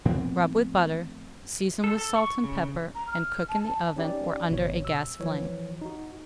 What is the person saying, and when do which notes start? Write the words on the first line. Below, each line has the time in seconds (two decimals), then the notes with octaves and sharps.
Rub with butter, season with salt and pepper, and cook in the oven or under a gas flame.
0.05 A2 F3 B3 C4
1.84 A4
1.98 A4
2.16 C#6
2.44 C#3
2.95 A#5
3.07 F6
3.49 A5
3.63 A5
3.96 C#4 D#4 G4 D5
4.51 G#1 B2 C#5
4.85 E6
5.20 E3 F3 C#5
5.82 D#4 F#4